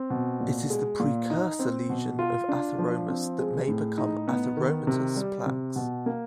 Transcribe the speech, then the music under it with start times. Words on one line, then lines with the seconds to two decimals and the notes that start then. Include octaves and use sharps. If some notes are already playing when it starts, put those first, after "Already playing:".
It is the precursor lesion of atheromas that may become atheromatous plaques.
Already playing: C4
0.10 B2
0.40 A#2
0.70 G#3
1.00 A#2
1.30 D#4
1.59 C4
1.90 B2
2.19 F4
2.49 D4
2.78 F3
3.08 C4
3.38 G#3
3.68 A2
3.98 D#4
4.28 B3
4.57 D#3
4.87 C3
5.16 G3
5.46 C3
5.76 B2
6.06 A#3